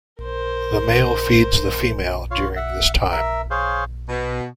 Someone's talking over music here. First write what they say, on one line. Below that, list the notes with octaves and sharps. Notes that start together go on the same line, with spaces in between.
The male feeds the female during this time.
A#4 C5
F4 C#5 F5
E5 F#5
A#4 E5
G#4 C5 C#5 F5
B2